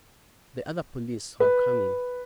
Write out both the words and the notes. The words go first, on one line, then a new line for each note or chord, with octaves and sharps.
The other police are coming.
B4